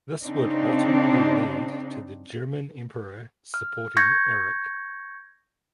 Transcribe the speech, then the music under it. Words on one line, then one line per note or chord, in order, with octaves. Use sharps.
This would ultimately lead to the German emperor supporting Eric.
C#3 C4 D4 D#4
F6
C#6 G6 G#6 A#6 C#7